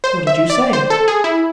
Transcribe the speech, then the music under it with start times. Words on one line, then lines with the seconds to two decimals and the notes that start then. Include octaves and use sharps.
"What did you say?"
0.04 C5
0.27 E5
0.50 D5
0.73 C5
0.90 A4
1.08 G#4
1.24 E4